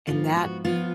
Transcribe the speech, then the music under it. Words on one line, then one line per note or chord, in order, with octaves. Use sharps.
And that
G#2 F3 B3 F4
F#4
F3 B3 F4